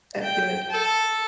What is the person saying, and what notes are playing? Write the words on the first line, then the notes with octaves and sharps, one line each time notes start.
That good.
G5
A4